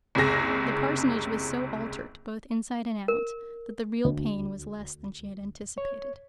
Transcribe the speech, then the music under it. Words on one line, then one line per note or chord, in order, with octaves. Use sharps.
The parsonage was so altered, both inside and out, that the real pain was less than she had anticipated.
F#1 C#2 C3 G#4 A#6
A#4
D2
C#5